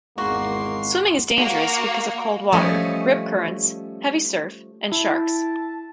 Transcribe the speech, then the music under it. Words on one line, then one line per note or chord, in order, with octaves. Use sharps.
Swimming is dangerous because of cold water, rip currents, heavy surf and sharks.
G#1 E2 G#3 A#3 F#4 C6
A#3 F#4
F3 G3 A3 C#4 C#5 D#5
E4 A5